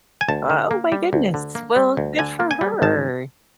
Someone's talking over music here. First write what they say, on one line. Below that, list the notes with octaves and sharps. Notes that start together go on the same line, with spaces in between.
Oh my goodness, well, good for her.
G#5
D2 A5
D3
A#3
G3
D2
D3
A#3
G3
D2
D3 G#5
A#3
G#5
G3
G#1 A5